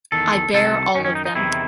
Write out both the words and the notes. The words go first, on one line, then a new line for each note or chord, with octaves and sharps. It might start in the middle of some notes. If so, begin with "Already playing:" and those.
I bear all of them.
E2 D#3 A4
C2 C3 D#3 A4
F#2 D#3 C#4
C#4
D#4
D#4
E2 C3 D#3 E4